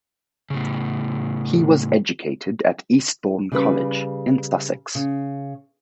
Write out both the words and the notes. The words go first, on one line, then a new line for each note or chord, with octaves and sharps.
He was educated at Eastbourne College in Sussex.
A2 C#3
C#3 G3 B4
C#3